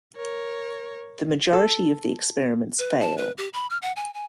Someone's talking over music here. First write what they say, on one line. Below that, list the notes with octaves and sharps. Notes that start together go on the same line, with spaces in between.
The majority of the experiments fail.
A#4 C#5
A4
B4
A5
B4
G4
B5
F6
F#5
G#5
G#5